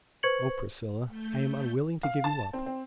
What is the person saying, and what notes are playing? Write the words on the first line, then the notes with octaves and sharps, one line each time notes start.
Oh, Priscilla, I am unwilling to give you up!
B4 C5 C#6 G#6 C#7 F#7
A3 G6
F5
A5
C4
C4